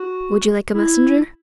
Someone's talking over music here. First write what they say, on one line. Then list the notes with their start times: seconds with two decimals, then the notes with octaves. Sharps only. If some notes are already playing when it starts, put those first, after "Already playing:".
'Would you like a messenger?
Already playing: F#4
0.74 E4